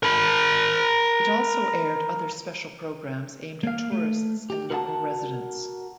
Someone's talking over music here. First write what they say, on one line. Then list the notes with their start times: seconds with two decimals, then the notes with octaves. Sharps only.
It also aired other special programs aimed at tourists and local residents.
0.03 A#4 B5
3.63 A#3 F5
3.92 A3
4.50 G4
4.70 F#4 A#4 B4 D#5 F#5 A5